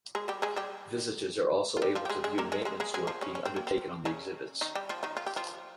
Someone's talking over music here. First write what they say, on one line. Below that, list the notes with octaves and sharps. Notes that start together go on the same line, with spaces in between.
Visitors are also able to view maintenance work being undertaken on the exhibits.
G#3 G#4
G3 G4
G#3 G#4
G3 G4
F4
G3 G4
F3 F4
G4
G#3 G#4
G#3 G#4
A#3 A#4
G#3 G#4
G#3 G#4
G#3 G#4
G#3 G#4
F3 F4
C#3 C#4
C#4
C4
A#3
C4
C#3 C#4
D#3 D#4
G3 G4
F3 F4
D#3 D#4
F4
G4
F3 F4